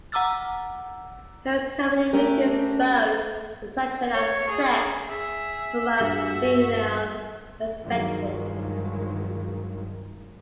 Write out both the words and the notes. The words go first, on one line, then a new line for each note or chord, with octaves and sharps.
Her comedy routines exposed the subject of sex from a female perspective.
F#5 A#5 D6 E6 F6 A6
A3 C#4 D4 G4 A#4
C#5
G#4
G#4 E5
G2 F#4 G#4 F#5
G2 D#3 F3 F#3 G#3